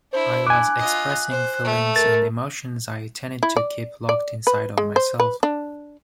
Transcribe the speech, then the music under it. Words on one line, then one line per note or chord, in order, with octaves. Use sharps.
I was expressing feelings and emotions I tended to keep locked inside of myself.
D4 E4 C5
G#5 D6 F#6
F4 D#5
C5
A3
A#4 A6
E4
D5
D5
B4
G#3
C5
B4
D4